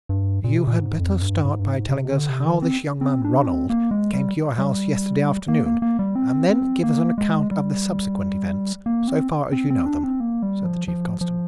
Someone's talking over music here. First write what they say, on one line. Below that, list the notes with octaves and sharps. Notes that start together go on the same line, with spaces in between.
"You had better start by telling us how this young man Ronald came to your house yesterday afternoon, and then give us an account of the subsequent events, so far as you know them," said the chief constable.
G2
A#2
C3
A#2
G#2
F2
G2
G#2
G2
G#2
C3
D3
C3
D#3
C4
C4
D4
C4
A#3
G#3
G3
G3
A#3
A#3
A#3
G3
C4
C4
A#3
G#3
G3
A#3
C4
C4
C4
D4
C4
A#3
G3
F3
F3
F3